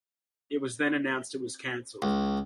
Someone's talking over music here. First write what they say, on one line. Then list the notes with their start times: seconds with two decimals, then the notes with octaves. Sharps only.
It was then announced it was cancelled.
2.02 C#2